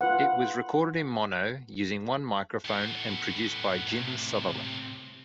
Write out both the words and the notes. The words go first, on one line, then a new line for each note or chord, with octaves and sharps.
It was recorded in mono using one microphone and produced by Jim Sutherland.
F4 B4 F#5
A2 B3
A2 C3